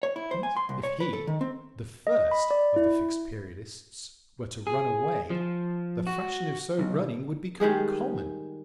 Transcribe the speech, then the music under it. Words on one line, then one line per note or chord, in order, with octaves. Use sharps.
And if he, the first of the Fixed-Periodists, were to run away, the fashion of so running would become common.
C#5
E4
C5
G#5
C6
C2
C#5
B4
A4
D#3
C4
D#5
B5
D5
E4
G#4
F3
F#4
B1
D#3 G3 G#3 G#4